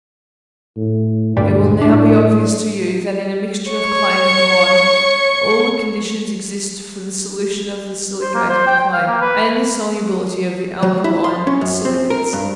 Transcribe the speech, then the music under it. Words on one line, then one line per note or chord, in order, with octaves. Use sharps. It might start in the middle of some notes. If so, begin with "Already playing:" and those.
It will now be obvious to you, that in a mixture of clay with lime, all the conditions exist for the solution of the silicated clay, and the solubility of the alkaline silicates.
A2
D2 G2 A#2 G3
A2 D4
C#5 C#6
C5
A#3
C5
G5
G5
F5
A#3
B4
F#3
E4
C6
C#4
F#2
C4
A#4
G2